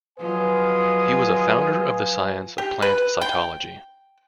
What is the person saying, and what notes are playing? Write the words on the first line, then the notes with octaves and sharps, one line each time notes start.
He was a founder of the science of plant cytology.
F3 F#3 G#3 B4 F5 G#5 D#6
G4
B4
G5